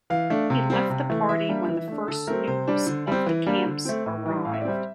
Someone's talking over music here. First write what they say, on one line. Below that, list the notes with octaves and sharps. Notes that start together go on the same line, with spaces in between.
He left the party when the first news of the camps arrived.
E3 F5
A3 D4
C3
G3 C4
C3
E3 A3
E3 E5
G3 A#3 D4
E3
A3 D4
D3 A4
A3 C4 A#4
C3 C5
G3 D4
D3
G3 C4
E3
G3 A#3 D4
D3
A3 C4
A2
E3 G3
A2 F5
E5
D5
G3 C4 E5